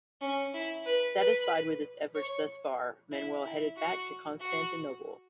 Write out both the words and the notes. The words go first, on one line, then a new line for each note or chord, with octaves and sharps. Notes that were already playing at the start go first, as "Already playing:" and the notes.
Satisfied with his efforts thus far, Manuel headed back to Constantinople.
C#4
E4
B4
B4
C#5
E4
E4
F#4
F#4